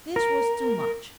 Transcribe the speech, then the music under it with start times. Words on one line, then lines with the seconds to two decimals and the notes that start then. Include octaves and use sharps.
This was too much.
0.16 A#4